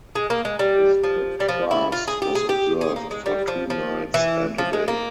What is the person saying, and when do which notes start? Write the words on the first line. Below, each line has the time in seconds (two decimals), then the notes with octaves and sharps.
A strict fast was observed for two nights and a day.
0.15 G#3
0.30 A#3
0.45 G#3
0.59 G3
1.03 F3
1.40 G3
1.49 F3
1.71 E4
1.92 F4
2.08 G#4
2.22 G4
2.35 G#4
2.49 G4
2.81 G#4
2.96 A#3
3.11 G#3
3.26 G3
3.48 F3
3.70 F3
4.14 E3
4.58 F3
4.73 G#3
4.88 A#3